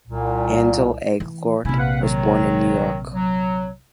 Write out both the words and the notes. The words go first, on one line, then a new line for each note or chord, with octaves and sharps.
Ansel Elgort was born in New York.
C2 A#2
E3
A#1 C3 C#4 E4
B4 F5 F#5
D#3 F#3
F#3